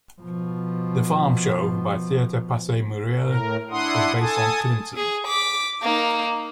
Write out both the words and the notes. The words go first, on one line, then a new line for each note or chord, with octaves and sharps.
"The Farm Show" by Theatre Passe Muraille was based on Clinton.
B2 F3
A2 A#4
D4 E4 F#5 C6 D#6
A4 G#5 A5 D#6
G#4
D6 B6
A#3 D#4